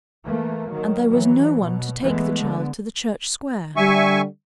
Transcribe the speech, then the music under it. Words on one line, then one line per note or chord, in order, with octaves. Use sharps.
And there was no one to take the child to the Church Square.
E3 A3 A#3
D#3 F#3
E3 F#3
B2
E3 G#3 A3 B3
D3 B3
D3 G3 E5 G#5 C#6